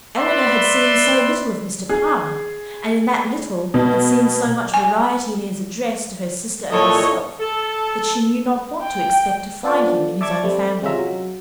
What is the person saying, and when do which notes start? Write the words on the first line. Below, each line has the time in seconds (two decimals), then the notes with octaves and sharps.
Elinor had seen so little of Mr. Palmer, and in that little had seen so much variety in his address to her sister and herself, that she knew not what to expect to find him in his own family.
0.17 B4 D5 E5 B5 C6
1.89 G#4
3.74 B2
4.74 G#5
6.71 A#2 E4 A4 C#5 D#5
7.40 A4
8.82 G5
9.63 B3 D4 F4 A4 C5 D5
10.21 D5 E5 A5 C#6 D6 G#6
10.43 G3 A3 C4
10.82 C3 G#3 C#4 F4 E5 A#5
10.99 F#3